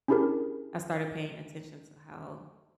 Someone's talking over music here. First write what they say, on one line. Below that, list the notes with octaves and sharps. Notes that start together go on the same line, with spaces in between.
I started paying attention to how
C#4 D4 E4 G4 G#4 A#4